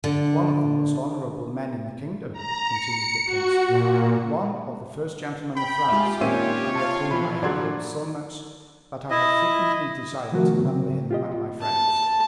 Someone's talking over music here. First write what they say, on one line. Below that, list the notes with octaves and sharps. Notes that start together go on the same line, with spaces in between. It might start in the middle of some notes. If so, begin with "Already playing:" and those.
"One of the most honorable men in the kingdom," continued the prince; "one of the first gentlemen of France, and of whom I have heard so much that I have frequently desired to number him among my friends."
D3
A#5
C#7
F#4
A#2
G5 B5
G#3 F4 G4 E5
A#2 D#3 C4 C#4 C#5 E5 D#7
C3 F4 F5 A5
E3 F3 B5
D3 F#3 D5 C6 G#6
E4 D#5
C3 D#3 F3 A3 F#4 A#4
C#3 F#3 C4
F4 G4 D#5
A5